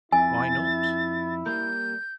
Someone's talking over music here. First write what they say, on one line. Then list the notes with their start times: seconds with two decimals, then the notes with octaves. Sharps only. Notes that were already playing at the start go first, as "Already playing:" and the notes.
"Why not?"
0.12 F2 E4 G#5 A6
1.46 G3 A#3 A#4 G6